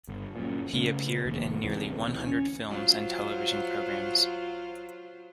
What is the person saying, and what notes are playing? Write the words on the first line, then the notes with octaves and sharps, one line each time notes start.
He appeared in nearly one hundred films and television programmes.
G1
F#2 A#2
C#3 A3 C#4
F1 D#2
D2 C3 E3
C#4
F#3 F4 C5